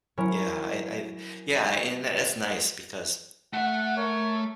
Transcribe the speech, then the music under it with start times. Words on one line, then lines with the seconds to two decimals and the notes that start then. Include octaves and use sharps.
Yeah, I I yeah, and that that's nice because,
0.17 F#3 C#4 E4 A#4 C#5
3.53 A3 E5 F#5
3.97 A#4 C#5